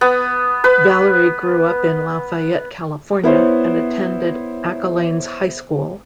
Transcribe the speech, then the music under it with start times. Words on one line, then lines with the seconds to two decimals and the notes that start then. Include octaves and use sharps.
Valory grew up in Lafayette, California and attended Acalanes High School.
0.01 B3
0.64 B4
3.23 B3 E4 C5 C#5